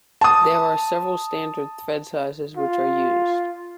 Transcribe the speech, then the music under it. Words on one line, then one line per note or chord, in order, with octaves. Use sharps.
There are several standard thread sizes which are used.
A5 D#6
F4